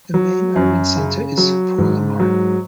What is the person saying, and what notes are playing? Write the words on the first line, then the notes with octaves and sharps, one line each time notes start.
The main urban center is Porlamar.
F#3
F#2
C#3
F#3
G#2
F#3